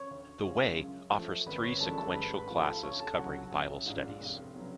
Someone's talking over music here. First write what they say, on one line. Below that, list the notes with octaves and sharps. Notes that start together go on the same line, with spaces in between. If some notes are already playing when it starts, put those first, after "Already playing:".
The Way offers three sequential classes covering bible studies.
Already playing: C#5 C#6
D2
C#3 G#3 C#4 F4
F#2
F3
A3
G#1 B4 B5
C#5 C#6
F#2 F3 G#3 D4 A4 A5
A4 A5
G#2 B4 B5
B4 B5
F3 A3 F4
A4 A5
D2 C#5 C#6
A4 A5
C#3 F#3 C#4 F#4 F#5
A1
G#2 G#3 D4 F4
F1
C#3 F#3 B3